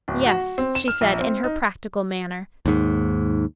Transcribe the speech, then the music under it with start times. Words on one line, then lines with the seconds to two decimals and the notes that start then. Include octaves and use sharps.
"Yes," she said, in her practical manner.
0.08 D1
0.26 F#4
0.58 C4
0.75 E7
0.88 F6
1.01 A#1
1.20 C4
1.44 D#4
2.66 D#2 G#2